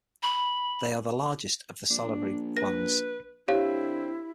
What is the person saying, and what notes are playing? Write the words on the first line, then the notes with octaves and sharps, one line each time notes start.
They are the largest of the salivary glands.
B5
A#1 D4
B4 A#6
D3 C4 E4 G4 C#5 F5